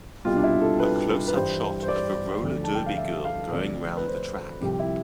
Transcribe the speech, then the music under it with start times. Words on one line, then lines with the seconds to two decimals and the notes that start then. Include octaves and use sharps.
A closeup shot of a roller derby girl going round the track.
0.25 C2 B2 G3 F4
0.36 D4
0.43 E4
0.61 A4
0.79 B4
1.28 B4
1.34 G2 E3 G3 C5
1.82 C5
1.88 D5
2.43 D2 D3 F3
2.64 A5
2.75 G5
2.86 F5
2.97 E5
3.25 F5
3.52 D2 C3 F3 D5
3.97 B4
4.07 C5
4.61 C2 C3 F3 G4
4.79 E4